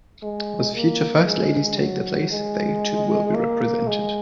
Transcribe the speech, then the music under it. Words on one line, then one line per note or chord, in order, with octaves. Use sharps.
As future First Ladies take their place, they, too, will be represented.
G#3
A#3
G#3
F#3
G#3
A#3
G#3